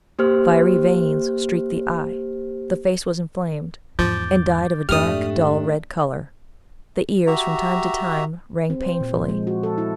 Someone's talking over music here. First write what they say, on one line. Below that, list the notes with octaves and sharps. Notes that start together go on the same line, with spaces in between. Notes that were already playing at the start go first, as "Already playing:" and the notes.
Fiery veins streaked the eye; the face was inflamed, and dyed of a dark dull red colour; the ears from time to time rang painfully.
A#3 G4 C5 F6
E2 G#2 F3 D6 G6 A6
F2 G#2 A3 D4 G4 D#6 F6
F#4 G4 E5 A#5
C4
C5
A#2
F3
G#3
F#4
A4
E4